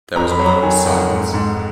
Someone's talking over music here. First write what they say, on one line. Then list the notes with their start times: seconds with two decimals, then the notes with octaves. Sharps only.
There was a moment's silence.
0.16 F2 A#5
0.31 B5
0.39 F#3
0.47 A#5
0.63 D#3 G#5
0.86 F2 F#5
1.10 G#2
1.34 G#2